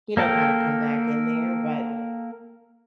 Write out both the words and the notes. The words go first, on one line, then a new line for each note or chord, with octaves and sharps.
you know, kinda come back in there," but
A#3 A4 A#4 G5